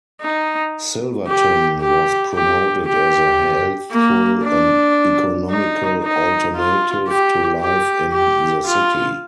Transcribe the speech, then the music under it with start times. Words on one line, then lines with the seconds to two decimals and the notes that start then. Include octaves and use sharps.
Silverton was promoted as a healthful and economical alternative to life in the city.
0.21 D#4
1.27 G4
1.80 G4
2.33 G4
2.86 G4
3.91 A#3
4.43 D4
5.50 D#4
6.02 D#4
6.55 F4
7.08 G4
7.60 G4
8.13 G4
8.66 F4